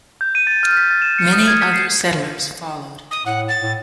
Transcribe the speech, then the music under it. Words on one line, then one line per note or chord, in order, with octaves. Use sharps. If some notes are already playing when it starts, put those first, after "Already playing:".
Many other settlers followed.
G6
D#7
A6
F6
B6
A6
E7
C#7
D#6
G#6
B6
C7
D#6
A2 F#5
A6
A2